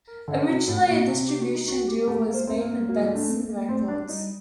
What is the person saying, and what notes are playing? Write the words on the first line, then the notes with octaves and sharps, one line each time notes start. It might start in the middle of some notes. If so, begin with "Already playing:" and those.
Originally a distribution deal was made with Benson Records.
A#4
D3 A4
C3 F#4
A2 F#4
A#2 F#4
C3
G4
F#4
D#4
F#4
G4
A3 G4
A#4
A#3
C5
C4 A#4
A#3
A#3
A#3 F#4
G3 D#4
A3 D4
C4
A#3
A3 C4
G3 D4
D#4